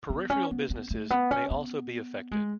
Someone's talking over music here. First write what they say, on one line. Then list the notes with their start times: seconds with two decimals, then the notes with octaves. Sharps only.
Peripheral businesses may also be affected.
0.10 B3
0.30 C#4
0.51 B3
0.70 B3
0.90 A3
1.10 B3
1.31 C#4
1.51 B3
2.31 G#3